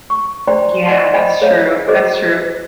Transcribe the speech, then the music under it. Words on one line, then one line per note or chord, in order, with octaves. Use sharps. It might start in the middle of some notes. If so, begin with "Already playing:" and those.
Yeah, that's true, that's true.
C#6
D4 C5 D5 G5 A#5 C6
D5 D#5 F#5 C6
C5 D#5 G5 G#5 B5
G#4 C5 C#5 D#5 F5 A#5
F#4 G#4 C5 D#5 D6